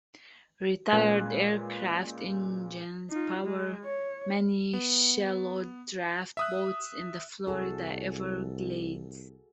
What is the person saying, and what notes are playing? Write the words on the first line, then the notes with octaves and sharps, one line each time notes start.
Retired aircraft engines power many shallow draft boats in the Florida Everglades.
A#2 G#3 C#4 B4 F#6 G#6
D#4 F4
G#3
C#5
B3
E5 D#6 F#6
C2 F#4 G#4 A4